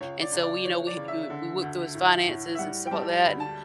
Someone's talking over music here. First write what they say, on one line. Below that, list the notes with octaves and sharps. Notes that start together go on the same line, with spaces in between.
And so, we you know, we w we looked through his finances and stuff like that. And,
C#2 C#5
D5
C#2
D5
E3 C#5
D5
C#3
E5
D3
D2
A2
A2
E5
G3 F#5
G5
G3 A5
D2 B5
A5